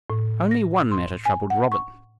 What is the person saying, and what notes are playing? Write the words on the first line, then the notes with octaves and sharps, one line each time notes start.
Only one matter troubled Robin.
A2
A#6
C6
G#5
F#5
C#6